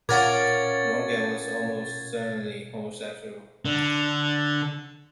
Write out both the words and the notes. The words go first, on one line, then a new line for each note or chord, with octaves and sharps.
Morgan was "almost certainly homosexual".
A#2 C#4 A#4 F5 F#5 D6 G#6 A6
D3